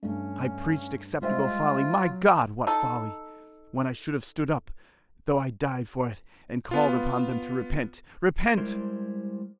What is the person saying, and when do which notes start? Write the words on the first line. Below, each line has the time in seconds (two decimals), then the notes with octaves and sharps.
I preached acceptable folly--my God, what folly!--when I should have stood up, though I died for it, and called upon them to repent--repent! . . .
0.03 G2 A3 C#4
1.22 G3 G#3 F4 C5 E5
2.02 F#3
2.67 D#4 A4
6.71 B3 F4
8.58 G3 G#3 E4 A#4 C5